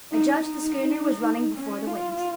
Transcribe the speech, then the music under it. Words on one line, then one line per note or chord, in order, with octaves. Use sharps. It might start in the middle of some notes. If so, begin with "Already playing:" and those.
I judged the schooner was running before the wind.
D#4
D#4
C#4
F4